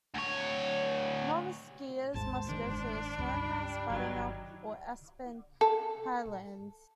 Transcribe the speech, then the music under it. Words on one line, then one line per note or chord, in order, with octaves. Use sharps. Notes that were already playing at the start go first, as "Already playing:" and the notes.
Novice skiers must go to Snowmass, Buttermilk, or Aspen Highlands.
D2 C#5
G#1 D#2 G#2 C5 A5
F#1 G#2 D#3 D4
C#2 G2 B5
G3
G1 D#3 F#3
A4